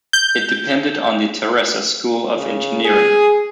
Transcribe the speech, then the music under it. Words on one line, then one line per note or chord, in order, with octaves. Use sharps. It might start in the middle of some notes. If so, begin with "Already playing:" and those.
It depended on the Terrassa School of Engineering.
G6
C#3
G#4